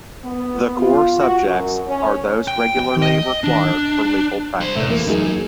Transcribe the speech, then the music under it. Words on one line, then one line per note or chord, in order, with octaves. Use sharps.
The core subjects are those regularly required for legal practice.
B3
F4
F#4
F#2
C#4
G5
G5
D#5
D4
G3 C5
A2 C3 A3
E3 A#3
F#2 F#3 D#4 G#4